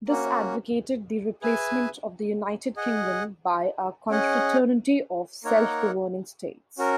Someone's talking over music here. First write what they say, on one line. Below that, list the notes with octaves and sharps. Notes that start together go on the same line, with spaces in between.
This advocated the replacement of the United Kingdom by a 'confraternity' of self-governing states.
A#3 C#4 F#4
G#4 B4 E5 G#5
G#4 D#5 F#5
C#4 G#4 D#5 F#5
A#3 D#4 A#4 C#5 F#5
C#4 F#4 A#4